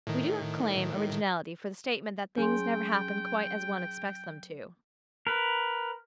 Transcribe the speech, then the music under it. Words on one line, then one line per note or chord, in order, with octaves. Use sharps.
We do not claim originality for the statement that things never happen quite as one expects them to.
A2 D#3
F#3 C#4 G#4 G5 G#5 C6
A#4 B4